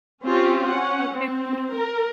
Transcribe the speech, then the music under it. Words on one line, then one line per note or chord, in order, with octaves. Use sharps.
Okay, thank you."
C4 C#4 F4 G4
C#4 F#5
C4
A#4